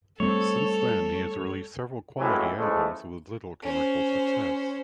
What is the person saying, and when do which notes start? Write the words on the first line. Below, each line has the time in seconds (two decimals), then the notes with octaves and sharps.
Since then he has released several quality albums with little commercial success.
0.20 G3 A3 C4 A4 C#5
2.18 A2 C#3 E3 F#3 G#3
2.58 C#3 E3 F3 G#3 A3
3.63 C#4 C5